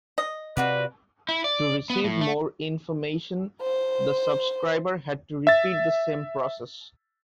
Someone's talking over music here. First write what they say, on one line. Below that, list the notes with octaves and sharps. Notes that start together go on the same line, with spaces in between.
To receive more information the subscriber had to repeat the same process.
D#5
C3 C4 F4 F#4 B4 D5
E4
D5
B3
A2
A3
C5
E5 A6